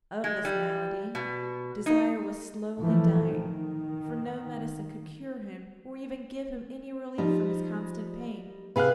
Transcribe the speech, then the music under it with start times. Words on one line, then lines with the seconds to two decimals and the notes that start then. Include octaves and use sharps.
Of this malady, Desire was slowly dying, for no medicine could cure him or even give him any relief from his constant pain.
0.24 G#3
0.45 G3
1.15 B2
1.86 D#4
2.80 E3 F3 A3
3.29 D#3
7.18 F3 G3 D#4
8.76 C3 G#4 B4 F5 F#6